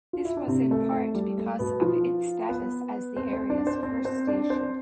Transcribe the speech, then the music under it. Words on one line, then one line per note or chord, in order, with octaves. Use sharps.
This was in part because of its status as the area's first station.
F4
E4
D4
C3 C4
A3
A3
G3
A3
B2 B3
F3 F4
B3 B4
C4 C5
C4 C5
D4 D5
C4 C5
C4 C5
C4 C5
D4 D5
C4 C5